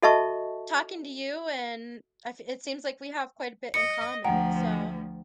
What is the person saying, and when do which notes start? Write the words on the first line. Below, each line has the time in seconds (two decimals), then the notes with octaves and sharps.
talking to you and I f it seems like we have quite a bit in common, so
0.02 F#4 A4 D#5 E5 A5 C#6
3.74 D#5 C#7
4.24 D2 F3 F#5 G5 A#5